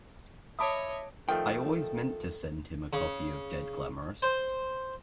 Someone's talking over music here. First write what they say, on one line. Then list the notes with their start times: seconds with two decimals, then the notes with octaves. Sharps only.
I always meant to send him a copy of Dead Glamorous.
0.59 C#5 D#5 E5 A5 B5 D6 D#6 D7
1.29 D#3 F3 A3 A4 G5
2.93 C#3
4.22 C5